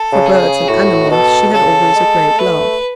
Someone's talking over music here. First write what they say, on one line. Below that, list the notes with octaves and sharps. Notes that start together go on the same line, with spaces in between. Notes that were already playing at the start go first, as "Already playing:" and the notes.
For birds and animals she had always a great love.
Already playing: A4
C#3
G#4
C#3
A2 F#4
B2 A4
C#3 A4
G#3
A3 B4